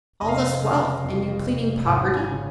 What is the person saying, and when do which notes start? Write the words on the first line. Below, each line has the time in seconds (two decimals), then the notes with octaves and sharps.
"All this wealth, and you pleading poverty?"
0.21 F1 D#5
0.28 F5
0.36 D#5
0.62 C#3
1.04 F2
1.46 F1
1.86 G#1 F#5
2.15 G#5
2.28 C#3